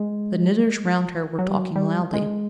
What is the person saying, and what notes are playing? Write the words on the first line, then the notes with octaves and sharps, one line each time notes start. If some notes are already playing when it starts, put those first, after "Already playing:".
The knitters round her were talking loudly.
Already playing: G#3
F#3
G3
F#3
G3
G#3